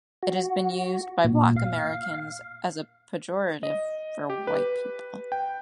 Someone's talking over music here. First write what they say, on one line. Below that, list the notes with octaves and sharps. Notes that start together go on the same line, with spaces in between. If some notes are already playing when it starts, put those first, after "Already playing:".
It has been used by black Americans as a pejorative for white people.
F#4
A#2
F5
D#5
G4
B4
G5